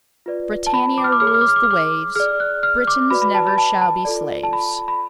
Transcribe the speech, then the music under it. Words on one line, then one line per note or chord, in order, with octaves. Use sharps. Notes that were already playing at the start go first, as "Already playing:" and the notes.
Brittania rules the waves! Britons never shall be slaves!
F4 B4 D5
A5
B5
D6
F6
D6
G#4 C#5 F6
D6
F6
D6
F6
D6
F6
D6
G#4 D5 F6
F#6
F6
D6
F#4 B4 D5 B5
B5
A5
B5
A5
A5
F4 A4 D5
A5
B5
B5